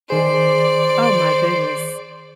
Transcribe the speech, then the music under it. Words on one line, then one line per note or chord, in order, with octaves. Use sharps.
Oh my goodness,
D#3 G#4 C5 D5